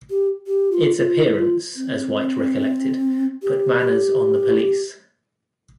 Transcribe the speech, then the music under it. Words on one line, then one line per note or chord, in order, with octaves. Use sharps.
Its appearance, as White recollected, "put manners on the police".
G4
G4
F4
F4
E4
F4
C4
G4
G4